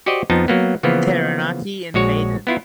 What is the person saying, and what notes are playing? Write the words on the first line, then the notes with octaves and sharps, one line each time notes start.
Taranaki invaded.
F#4 G4 C5 D5 D#5
F2 F3 B3 D#4 A5
F#3 A#3 B3
C#3 E3 F3 A#3 B3
A#1 G#3 F#4 C#5
B3 E4 F4